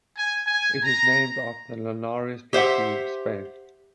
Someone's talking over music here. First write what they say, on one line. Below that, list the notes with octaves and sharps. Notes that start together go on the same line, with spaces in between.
It is named after the Linares Plateau, Spain.
G#5
G#5
A#5
G4 C5 E5 F#5